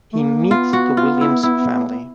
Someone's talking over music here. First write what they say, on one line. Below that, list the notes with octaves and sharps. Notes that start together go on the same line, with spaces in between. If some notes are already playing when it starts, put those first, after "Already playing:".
He meets the Williams family.
A3
A#3
B3 F4
F#4
F4
E4
E4